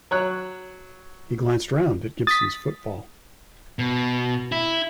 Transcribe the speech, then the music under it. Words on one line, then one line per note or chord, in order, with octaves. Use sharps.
He glanced round at Gibson’s footfall.
F#3 C#5 F#6
D#6 A6 B6
B2
E4